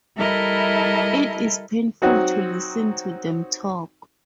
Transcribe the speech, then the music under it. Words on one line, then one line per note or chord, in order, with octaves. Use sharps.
It is painful to listen to them talk.
G3 E4 A4 A#4 D#5 E5
F#3 C4 D#4 F#4